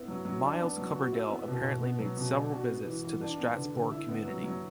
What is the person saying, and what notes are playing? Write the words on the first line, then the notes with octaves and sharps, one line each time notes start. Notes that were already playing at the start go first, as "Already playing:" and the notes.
Myles Coverdale apparently made several visits to the Strasbourg community.
Already playing: B3 E4
F#3
F#3
D4
B3
F#3
F#4
E4
B3
B2
B2
B3
F#3
B2
D4
F#4
B3
E3
E3
D4
B3
D3
D3
E4
B3
F#3
F#3